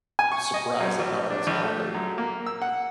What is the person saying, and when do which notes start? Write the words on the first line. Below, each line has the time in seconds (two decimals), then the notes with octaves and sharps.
surprise that none of us got hurt
0.19 G#5
0.32 C#6
0.54 D#5
0.80 F#2
0.99 A#1
1.30 D4
1.47 A#1
1.63 A3
1.95 F#2
2.18 A#3
2.46 E6
2.62 F#5